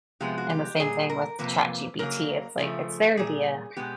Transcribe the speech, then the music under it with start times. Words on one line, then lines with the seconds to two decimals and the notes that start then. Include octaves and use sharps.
and the same thing with ChatGPT, it's like, it's there to be a
0.20 C3 F3 G#3 B3 G4
0.38 F#4
0.50 G4
0.80 A#2 G3 G#4
1.10 A#4
1.39 F2 C3 F3 A#3 B4
1.99 C#3 F#3 A#3 A#4
2.58 C#3 F3 A3
3.17 A#2 G3 G#4
3.77 B2 G#3 B3 G4